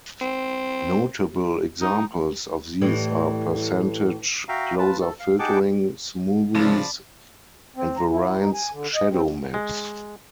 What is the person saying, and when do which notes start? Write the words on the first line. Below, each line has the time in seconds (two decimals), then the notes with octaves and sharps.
Notable examples of these are Percentage Closer Filtering, Smoothies, and Variance Shadow maps.
0.21 C4
1.81 D#4
2.81 A2 E3 G3
4.49 F#4 E5 F5 G5 A#5
4.78 F4 B4 A5
5.01 A4
5.20 F5
5.39 D#4 G#4 F#5 G5 A5 D6
6.55 C2 C#3 F3 D5 A5 B5
7.76 C4
7.97 A#5
8.10 E4
8.39 D#4
8.54 G#5
8.71 D3
8.95 D#5
9.11 C4
9.54 G#3